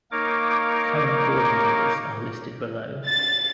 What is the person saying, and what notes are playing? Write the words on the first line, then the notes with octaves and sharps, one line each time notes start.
Current Board members are listed below.
A#3 D#4 A#4 C#5 D6
A6